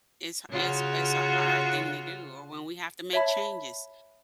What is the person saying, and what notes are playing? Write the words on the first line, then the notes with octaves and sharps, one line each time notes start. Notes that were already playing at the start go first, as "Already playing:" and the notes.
It's it's It's a hard thing to do or when we have to make changes.
C#3 F4 F#4
C#5 E5 A5 B5